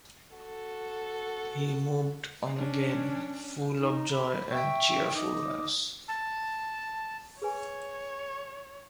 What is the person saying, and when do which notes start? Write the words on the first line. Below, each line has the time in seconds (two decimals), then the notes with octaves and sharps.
He moved on again, full of joy and cheerfulness.
0.36 F#4 A4
2.57 C#4 D4
3.79 D#4
4.10 B5
4.50 E5 G5 C#6 E6
5.15 D#4 D6
6.08 A5
7.42 G#4 B4 C#5 G#5